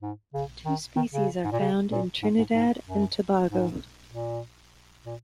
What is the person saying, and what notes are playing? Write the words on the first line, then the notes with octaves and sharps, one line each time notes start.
Two species are found in Trinidad and Tobago.
G#2
C#3
D#3
D#3
C#3
G#2
A#2
C#3
A#2
G#2
G#2
G#2
F#2
G#2
A#2
A#2